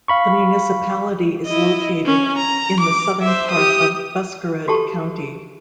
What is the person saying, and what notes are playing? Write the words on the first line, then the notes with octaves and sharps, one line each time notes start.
The municipality is located in the southern part of Buskerud county.
F5 B5 C#6
E4 D#5
C#4
A#5
D6
C5 E5
G4 D#6
F#4 G4 A4 A5 C#6